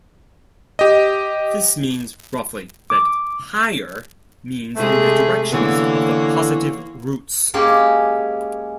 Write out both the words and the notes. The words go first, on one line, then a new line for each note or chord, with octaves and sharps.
This means, roughly, that "higher" means in the directions of the positive roots.
G4 D#5
D6
C3 G#3 A3 G#4
D3 E3 A#3 B3 C#5
G#3 A#3 C#4 G4